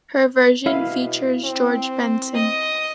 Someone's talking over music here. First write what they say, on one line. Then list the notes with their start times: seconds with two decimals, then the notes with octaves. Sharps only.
Her version features George Benson.
0.66 B2 E4 F5
1.45 C4
2.35 D#5